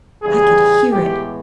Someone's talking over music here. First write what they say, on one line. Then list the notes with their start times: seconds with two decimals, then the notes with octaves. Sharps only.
I could hear it.
0.22 E2 C#3 E3 G3 G#4
0.91 A2 E3 G#3 B3 G4